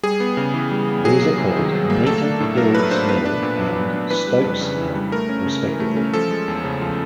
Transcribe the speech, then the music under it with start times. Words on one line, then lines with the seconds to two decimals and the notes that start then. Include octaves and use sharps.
These are called Kneeton Hills Mill and Stokes' Mill respectively.
0.03 G3 G#4
0.20 B3
0.37 C#3
0.54 E3
0.71 G3
0.88 B3
1.05 F#3 G#4
1.22 A#3
1.39 C3
1.56 D#3
1.73 F#3
1.90 A#3
2.06 A3 A4
2.24 D4
2.40 A2
2.57 F#3 A#4
2.74 A3 B4
2.91 D4 C5
3.08 B3 B4
3.25 D4
3.42 A#2
3.60 F#3
3.76 B3
3.93 D4
4.10 E3 B4
4.27 G3
4.44 F2
4.61 C#3
4.78 E3
4.95 G3
5.12 A3 A#4
5.29 C#4
5.46 C#3
5.63 E3
5.80 A3
5.97 C#4
6.14 F3 A4
6.31 G#3
6.48 E2
6.64 C#3
6.82 F3